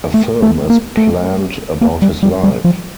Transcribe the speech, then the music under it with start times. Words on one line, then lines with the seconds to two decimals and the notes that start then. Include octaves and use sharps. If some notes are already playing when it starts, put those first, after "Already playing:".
A film is planned about his life.
0.14 A3
0.42 A3
0.70 A#3
0.97 A3
1.81 A#3
2.02 G3
2.23 G3
2.43 G3
2.65 F3